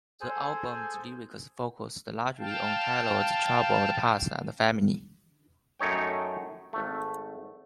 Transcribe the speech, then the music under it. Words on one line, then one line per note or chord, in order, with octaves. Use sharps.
The album's lyrics focused largely on Taylor's troubled past and family.
G#4 A4 C5 G#5
F5 G5 A5
F#2 A3 D#4 C#5 G5
G#1 A3